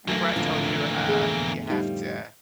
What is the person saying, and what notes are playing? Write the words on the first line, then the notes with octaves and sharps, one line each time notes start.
'Member I told you, uh, you have to
E3 F#3 A3 A#3
F2 A2 D3 D4 F4
E2 G#4
F3 G3 D#4 F5